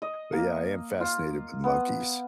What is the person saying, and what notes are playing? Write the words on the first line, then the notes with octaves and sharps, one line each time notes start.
but, yeah, I am fascinated with monkeys.
D#5
A#3
F4
B3